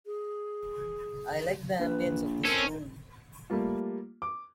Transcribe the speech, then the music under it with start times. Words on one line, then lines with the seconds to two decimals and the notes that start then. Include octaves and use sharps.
I like the ambience of this room.
0.06 G#4
1.79 A#1 B4
2.45 C4 C#4 A4 A#4
3.50 G3 A3 A#3 F4
4.22 D6